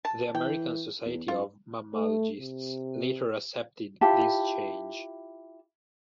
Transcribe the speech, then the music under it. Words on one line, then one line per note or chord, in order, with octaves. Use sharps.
The American Society of Mammalogists later accepted this change.
A5
E3 G5
E2
F#2 F4
A3
C3
E4 F4 G4 A5